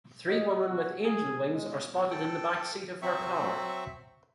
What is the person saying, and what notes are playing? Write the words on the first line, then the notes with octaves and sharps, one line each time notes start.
Three women with angel wings are spotted in the backseat of her car.
D#5
F#4
G#4
G#3
A4 G5
F#3 C4 E5 C#6